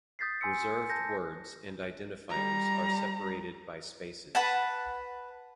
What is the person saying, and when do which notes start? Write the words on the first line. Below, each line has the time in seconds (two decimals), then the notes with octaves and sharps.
Reserved words and identifiers are separated by spaces.
0.19 D#6 G6 A6 B6 C7
0.41 G#5 C6 E6 C#7
0.90 A5 G6 A#6
2.30 G3 A#5
4.35 B4 F#5 A5